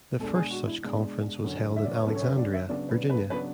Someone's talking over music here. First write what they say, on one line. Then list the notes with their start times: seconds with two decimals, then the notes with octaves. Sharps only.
The first such conference was held in Alexandria, Virginia.
0.20 B2 G#3 D4 A4
0.35 G#4
0.50 F#4
0.66 E4
0.82 B2 G#3 D4
1.44 F#2 D3 F#3 C#4
1.76 E5
1.85 D5
1.92 C#5
1.99 B4
2.07 F#2 D3 F#3 C#4 A4
2.15 C#5
2.21 B4
2.38 D5
2.54 E5
2.69 C#3 F#3 B3 D4 D5
2.89 B4
3.10 B4
3.30 C#3 F#3 B3 D4 B4